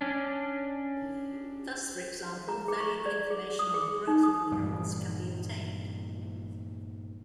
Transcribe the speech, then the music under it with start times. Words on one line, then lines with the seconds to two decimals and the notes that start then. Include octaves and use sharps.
Thus, for example, valuable information on the growth of minerals can be obtained.
0.01 C#4 D4
2.49 A#5
2.68 G#4
2.80 C#6
3.06 D5
3.30 G#4
3.59 D#6
3.74 G#4
4.07 D#4
4.23 D#6
4.52 G2 A#2 E3 G3